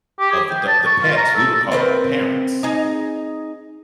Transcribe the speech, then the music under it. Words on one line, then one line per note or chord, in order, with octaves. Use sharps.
of the do the pets, we would call them parents.
G4
G#4
G5
A5
C#6
F4
A#5
A4
C4 A#4 B4
D#4 G#4